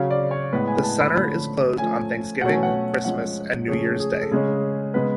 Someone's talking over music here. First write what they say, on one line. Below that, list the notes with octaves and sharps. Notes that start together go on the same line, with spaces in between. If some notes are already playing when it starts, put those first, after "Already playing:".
The center is closed on Thanksgiving, Christmas and New Years Day.
Already playing: C#3 F#3 C#4 F5
D5
C#5
A2 G#3 B3 B4
G#5
A5
B5
D3 F3 A3 C#4 B5
F3 A3 C#4 G#5
B2 F#3 A3 C#4 F#5
G#5
F#5
F3 G#3 C#4 F#5
C#3 F3 A3 C#4 G#4
G#4
A4
C#3 G#3 C#4 G#4
C#3 G#3 B3 B4